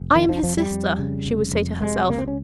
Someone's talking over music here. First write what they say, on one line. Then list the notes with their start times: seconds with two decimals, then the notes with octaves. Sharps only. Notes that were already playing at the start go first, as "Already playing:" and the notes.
"I am his sister," she would say to herself.
Already playing: F1
0.15 F2 D#3
0.29 F3
0.43 F2 F3
0.57 G3
0.71 F2
0.99 C#3
1.26 F1
1.53 F2
1.81 C3 G#3
2.09 C#2 A#3
2.18 C4
2.28 C#4